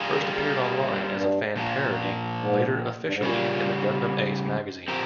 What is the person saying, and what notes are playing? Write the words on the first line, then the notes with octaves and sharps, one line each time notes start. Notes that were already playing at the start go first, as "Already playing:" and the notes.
First appeared online as a fan parody, later officially in the Gundam Ace magazine.
Already playing: G3 A#3 F4 G#4
C#3
D#3
C#3
C3
C#3
C3
G#2
G2
A#2 F3 A#3
G2
G#2
G2
G#2
A#2 C#3 G3 C#4 G#4
F3 C4 G4 A#4